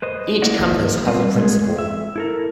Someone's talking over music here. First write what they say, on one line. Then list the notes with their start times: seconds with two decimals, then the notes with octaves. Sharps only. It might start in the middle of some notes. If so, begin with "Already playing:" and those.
Each campus has a Principal.
0.02 B4 C5 D#5
0.42 A#3 E4 D5 D#5 F#5
1.07 G3 C4 F4 B4 C5 D#5
1.38 G#3 A3 G#4
1.78 E5
2.16 E4 A4 A#4